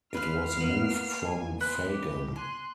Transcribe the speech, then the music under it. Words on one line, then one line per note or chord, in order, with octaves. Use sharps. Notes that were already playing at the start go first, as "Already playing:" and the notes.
It was moved from Fagan.
B4 C5 F5 F6 C7
A#3 B3
G#5
B4 C5 F#6
G4
G#5 C6 F#6